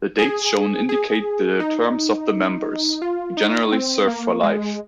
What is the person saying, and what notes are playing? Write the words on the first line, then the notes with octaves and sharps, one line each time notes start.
The dates shown indicate the terms of the members, who generally serve for life.
G#4
G#4
D#4
F4
D#4
C4
A#3
G#3